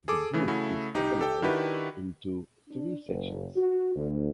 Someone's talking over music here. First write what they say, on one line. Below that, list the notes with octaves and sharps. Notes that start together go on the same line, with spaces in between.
The book is organized into three sections.
G#4 A4 D6
C#3 E3 A3
C#3 A3 E4 F#4
C2 D#4 G4
G4 A4 G5
D#3 D4 E4 F#4 G4 B4
D4
F#1
F#4
D2